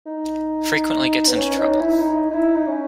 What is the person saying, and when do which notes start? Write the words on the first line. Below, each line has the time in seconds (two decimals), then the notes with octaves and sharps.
Frequently gets into trouble.
0.06 D#4
1.28 B3
1.37 C#4
1.58 D#4
1.80 E4
2.01 D#4
2.30 D#4
2.34 E4
2.56 D#4
2.67 C#4